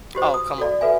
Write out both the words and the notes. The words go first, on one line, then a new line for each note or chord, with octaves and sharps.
Oh, come on.
F#4 G4 C5
D#6
F#4 A4 D5
F#4 A4 B4 E5 G#5